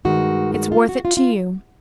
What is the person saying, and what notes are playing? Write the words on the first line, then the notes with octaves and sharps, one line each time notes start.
It's worth it to you.
G2 D#3 G#3 F#4
F#4
F4
F#4
F4
F4